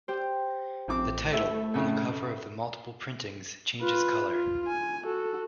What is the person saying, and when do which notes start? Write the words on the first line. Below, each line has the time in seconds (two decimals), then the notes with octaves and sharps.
The title on the cover of the multiple printings changes color.
0.08 G4 C5
0.88 A1 F3 C4 D6
1.33 A3 E4 A4 E5
1.74 F2 A2 C#3 A4
3.82 F4 B4
4.32 F4
4.68 G#5
5.04 F#4 A4